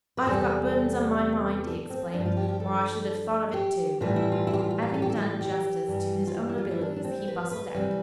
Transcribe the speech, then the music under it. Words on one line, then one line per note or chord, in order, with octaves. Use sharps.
"I've got burdens on my mind," he explained, "or I should have thought of it too." Having done justice to his own abilities, he bustled out.
B4
E2 C3 G3 A4
A4
C4
G2 F3 D4
F4
G4
G4
A4
G4
A2 E3 G3 F4
E4
F4
E4
G4
F4
F4
F4
A4
G4
A4
F4
G4
G2 E3 G3
F4
G4
E4
F4
E4
D4
D4
C4
B4
B4
C3 E3 G3